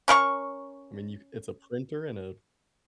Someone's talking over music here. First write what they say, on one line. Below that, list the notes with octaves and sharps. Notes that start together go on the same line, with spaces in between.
I mean, you c it's a printer and a
C#4 A#4 E5 C#6